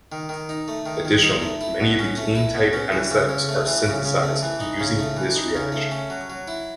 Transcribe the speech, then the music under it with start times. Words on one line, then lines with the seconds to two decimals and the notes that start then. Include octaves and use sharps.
Additionally, many of the "caine"-type anesthetics are synthesized using this reaction.
0.12 D#3
0.29 D#3
0.49 D#4
0.68 A3
0.86 D#3
1.05 D#3
1.24 D#4
1.42 A3
1.61 E4
1.80 B2
1.99 C#4
2.18 A3
2.35 E4
2.54 B2
2.73 C#4
2.92 E3
3.10 C#3
3.29 C#3
3.49 A3
3.67 E3
3.86 C#3
4.05 C#3
4.23 A3
4.42 E3
4.60 D#4
4.80 C#3
4.98 A3
5.17 E3
5.35 D#4
5.55 C#3
5.72 A3
5.92 C#4
6.10 F#3
6.30 F#3
6.48 E4